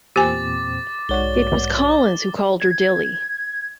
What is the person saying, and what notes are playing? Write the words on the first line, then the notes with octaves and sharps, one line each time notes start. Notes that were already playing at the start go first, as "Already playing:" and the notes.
It was Collins who called her Dilly.
E2 A#2 C4 G4 G#5 D6 A6
B1 G#2 F#4 C#5 D5 G7
G#6